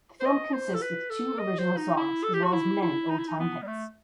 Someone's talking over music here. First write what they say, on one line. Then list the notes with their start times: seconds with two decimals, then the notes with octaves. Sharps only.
The film consists with two original songs as well as many old time hits.
0.20 C5
0.25 D#5
0.54 C5
0.73 A4
0.82 B4
1.10 A4
1.39 D#5
1.59 C5
1.77 D#4
1.97 E4
2.24 A4
2.34 G4
2.44 F#4
2.53 E4
2.82 E4
3.10 D#4
3.19 E4
3.28 D#4
3.40 B3
3.62 G3
3.67 A3